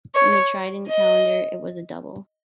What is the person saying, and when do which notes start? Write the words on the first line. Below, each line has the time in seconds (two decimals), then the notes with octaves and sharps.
In the Tridentine Calendar, it was a Double.
0.14 C#5
0.87 D#5